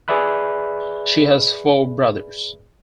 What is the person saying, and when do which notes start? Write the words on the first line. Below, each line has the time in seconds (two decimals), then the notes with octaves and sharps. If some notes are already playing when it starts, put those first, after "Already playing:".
She has four brothers.
0.08 G#4 B4 D5 E5 B5 F#6